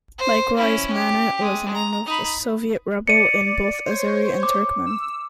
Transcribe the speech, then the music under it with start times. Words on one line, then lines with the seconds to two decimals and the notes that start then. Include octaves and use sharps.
Likewise, 'manat' was the name of the Soviet ruble in both Azeri and Turkmen.
0.18 C5
0.57 C#4 E4
0.94 G4
1.41 G#3
1.75 A#5
2.06 D#4 B5
3.08 D5 C#7 D#7
3.86 C5 C#5
4.43 D6
4.86 E6